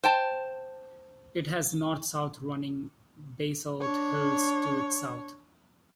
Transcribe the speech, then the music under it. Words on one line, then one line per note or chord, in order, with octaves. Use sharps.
It has north-south running basalt hills to its south.
C5 G5 A5
D4 C#5